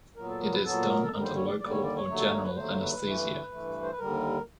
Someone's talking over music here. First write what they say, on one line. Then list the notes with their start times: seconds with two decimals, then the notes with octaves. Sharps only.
It is done under local or general anesthesia.
0.16 A#2 F#3 B3 A#4
0.28 A4
0.41 A#4
0.52 B4
0.64 A#2 F#3 B3 A4
0.88 A#4
1.03 A4
1.11 D#2 D3 G3 A#4
1.24 C5
1.36 C#5
1.48 D5
1.60 D#2 D3 G3 D5
1.71 C#5
1.83 D5
1.96 C#5
2.07 D#2 D3 F#3 A3
2.18 A4
2.30 A#4
2.43 B4
2.56 D#2 D3 F#3 A3 C5
2.79 B4
3.04 G2 E3 A3
3.51 G2 E3 A3
3.83 C5
3.91 B4
3.99 D#2 D3 G3 A#4